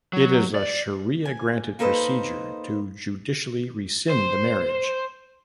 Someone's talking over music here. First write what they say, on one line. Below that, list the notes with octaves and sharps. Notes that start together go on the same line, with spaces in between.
It is a Sharia-granted procedure to judicially rescind a marriage.
F#3
D5
G#5
A#3 D#4 A4 B4 C5 D#5
C5